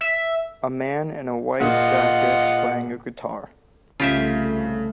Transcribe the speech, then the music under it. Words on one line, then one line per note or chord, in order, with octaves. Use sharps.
A man in a white jacket playing a guitar.
E5
A#1 F4 D#5 F#5
C2 C#3 A3 F4 G4 E5